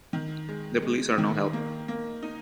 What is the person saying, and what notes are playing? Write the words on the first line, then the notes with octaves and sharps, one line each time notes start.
The police are no help.
D#3
G#3
G#3
D#3
A#3
A#3
D#4